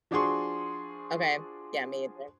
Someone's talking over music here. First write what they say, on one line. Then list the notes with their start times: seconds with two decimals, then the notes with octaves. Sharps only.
Okay, yeah, me either.
0.11 F3 D4 F#4 G#4 C6 C#6